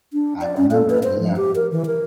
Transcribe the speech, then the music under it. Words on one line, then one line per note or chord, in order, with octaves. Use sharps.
I remember, yeah.
D4
D5
C#4
A4
B4
C5
F3
G4
A#4
E3
A#4